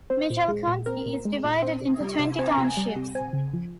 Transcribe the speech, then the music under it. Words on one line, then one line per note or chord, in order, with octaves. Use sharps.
Mitchell County is divided into twenty townships.
C4 C5
A#2
G#3
A#2
C4 A#4
A#2
G#3
A#2
C4
C3
G3
C3
C4 G#5
A#5
C3
G#5
G3
C3
C4 G#5
C#3
F3